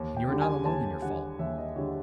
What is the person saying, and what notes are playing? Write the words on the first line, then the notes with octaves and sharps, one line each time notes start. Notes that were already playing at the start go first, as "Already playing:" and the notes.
And you are not alone in your fault.
Already playing: D#2
G5
D3 G3
G#5
D#2 A5
D3 G3 F#5
D#2 E5
D#5
D3 G3 C#5